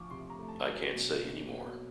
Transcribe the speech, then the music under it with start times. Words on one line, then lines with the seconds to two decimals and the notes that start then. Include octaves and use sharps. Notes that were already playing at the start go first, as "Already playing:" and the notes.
I can't say anymore.
Already playing: D2 F3 C#6 D6
0.11 C3 C6
0.30 A#5
0.39 A3
0.48 A5
0.66 F#3 G#5
0.95 B2
1.23 A#3
1.50 B2